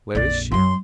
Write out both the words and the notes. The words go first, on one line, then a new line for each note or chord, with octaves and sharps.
"Where is she?"
A#1 F2 D5
F#2 F#3 C6